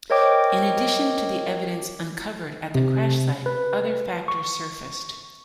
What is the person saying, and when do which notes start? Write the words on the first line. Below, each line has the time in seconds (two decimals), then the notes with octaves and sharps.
In addition to the evidence uncovered at the crash site, other factors surfaced.
0.10 A#4 C5 C#5 D#5 G5 D6
2.75 C3
3.46 B4
4.28 C#6